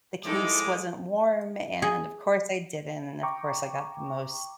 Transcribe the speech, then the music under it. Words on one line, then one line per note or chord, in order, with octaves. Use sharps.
the case wasn't warm and of course I didn't and of course I got the most
F2 G#3 D#4 E4 A4 D6
G#4
G5 A#5 C#6 D6